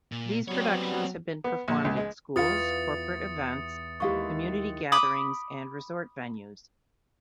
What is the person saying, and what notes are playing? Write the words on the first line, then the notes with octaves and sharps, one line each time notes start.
These productions have been performed at schools, corporate events, community gatherings, and resort venues.
A#2
F#3 G3 B3 C4 C#5
B3
A#1
C#2
G#3
E2 F4 B4 F5 D#6 A6 C#7
D#2 G#3 E4 G4 F5 C#6
B5 D6 D#6